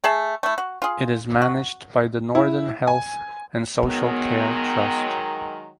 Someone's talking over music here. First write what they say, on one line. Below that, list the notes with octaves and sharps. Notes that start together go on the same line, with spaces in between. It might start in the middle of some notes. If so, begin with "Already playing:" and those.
It is managed by the Northern Health and Social Care Trust.
A3 G#4 E5 A5
A3 E4
F#4
F4 G#4
F#4
E4
G#5
D#3 F#3 G#3 B3